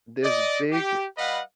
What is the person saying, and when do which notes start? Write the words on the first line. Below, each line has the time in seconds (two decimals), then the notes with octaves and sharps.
this big
0.23 D5 D#5
0.71 G4
1.17 G3 B4 D#5 F5 F#5 B5